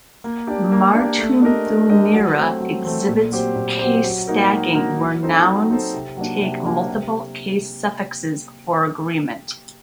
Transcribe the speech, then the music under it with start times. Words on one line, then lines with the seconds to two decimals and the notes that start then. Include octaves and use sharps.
Martuthunira exhibits case stacking, where nouns take multiple case suffixes for agreement.
0.24 A#3
0.47 D4 G4 D5
0.72 A#3
0.94 D4 G4 D5
1.19 A3
1.42 D4 G4 A#4 D#5
1.67 A3
1.90 D4 G4 A#4 D#5
2.14 F#3
2.37 A3 C4
2.61 F#3
2.85 A3 C4
3.08 A#2
3.32 F#3 C4 G4 C5
3.56 A#2
3.79 F#3 C4 G4 C5
4.04 F#3
4.28 A#3 D#4 F#4 A#4
4.51 F#3
4.75 A#3 D#4 F#4 A#4
4.99 F#3
5.23 C4 D#4 A4 C5
5.47 F#3
5.71 C4 D#4 A4 C5
5.94 C3
6.17 F#3 A#3 D4
6.42 C3
6.66 F#3 A#3 D4
6.89 C3